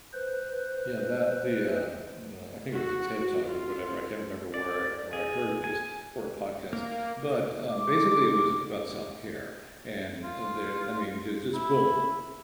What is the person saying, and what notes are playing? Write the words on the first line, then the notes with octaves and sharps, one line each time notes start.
Yeah. That the, um, the, uh, I think it was a TED Talk or whatever, I can't remember where I-where I heard this, or a podcast. But, um, basically, it was about self-care, and, uh there I mean, you just boom.
B4 C5
F#4
F4
D5
G#4
G#5
A#3
D6
F4
E4